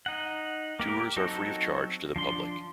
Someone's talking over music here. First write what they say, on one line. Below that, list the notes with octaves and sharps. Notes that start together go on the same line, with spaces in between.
Tours are free of charge to the public.
D#4 F#5
A#3 G4 A#4
F#3 C4 D#4 A4
F3 D4 C6